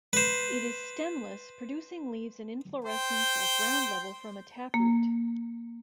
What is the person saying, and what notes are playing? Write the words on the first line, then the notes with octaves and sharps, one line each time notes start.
It is stemless, producing leaves and inflorescence at ground level from a taproot.
B4 C5
C5 G5
A#3